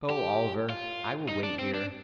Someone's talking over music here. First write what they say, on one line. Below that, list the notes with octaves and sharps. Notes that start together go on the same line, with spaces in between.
"Go, Oliver; I will wait here."
G4
F4
D#4
D4
C4
D4